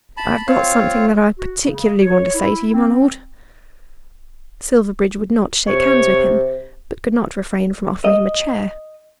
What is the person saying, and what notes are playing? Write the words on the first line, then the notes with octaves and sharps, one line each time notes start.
"I've got something that I particularly want to say to you, my Lord." Silverbridge would not shake hands with him, but could not refrain from offering him a chair.
A5 B5
C4 F4 C#5 F5
F#4
C#3
C#5
E4
C4
C3 C#5
D#5